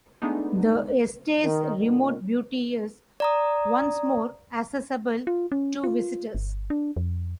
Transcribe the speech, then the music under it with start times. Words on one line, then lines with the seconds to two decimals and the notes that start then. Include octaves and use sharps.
The estate's remote beauty is once more accessible to visitors.
0.22 G#3 A3 B3 D4 D#4
1.44 D#3
1.80 A#2 D3 D#3
3.20 D5 A#5 D#6
5.27 F4
5.52 C#4
5.84 F4
6.35 G1
6.70 D4
6.96 F2